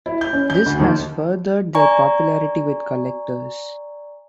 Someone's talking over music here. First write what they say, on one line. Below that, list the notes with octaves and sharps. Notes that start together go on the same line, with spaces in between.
This has furthered their popularity with collectors.
E4
G6
C#4
G6
D2
D#2
D5 G#5 A#5 C#6